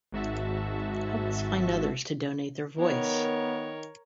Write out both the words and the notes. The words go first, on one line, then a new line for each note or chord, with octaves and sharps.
Help us find others to donate their voice!
G#1 G#2 F#4 E5 A5
D#3 B3 A#4 C#5